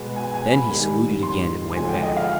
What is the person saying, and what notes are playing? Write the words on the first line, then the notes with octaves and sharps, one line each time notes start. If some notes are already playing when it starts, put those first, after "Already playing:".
Then he saluted again and went back.
Already playing: B2 G#3 B3
G#5
G#5
B5
G#2 D#3 G3 G#5
C6
D2 D3 F3 G#3 G#5
G5
D#5
F5